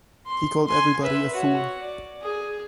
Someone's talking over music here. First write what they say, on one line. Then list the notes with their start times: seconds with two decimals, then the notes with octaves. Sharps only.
He called everybody a fool.
0.27 C6
0.67 G#5 C6
1.03 B4 E5
1.33 F#4 C#5
1.80 D5
2.22 G#4